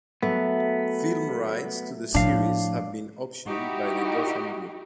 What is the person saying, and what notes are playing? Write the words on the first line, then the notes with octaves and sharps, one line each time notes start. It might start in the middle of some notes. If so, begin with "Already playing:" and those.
Film rights to the series have been optioned by the Gotham Group.
F#3 A3 B3
A2 F3 D4 F5
D#4 E4 F#4 G4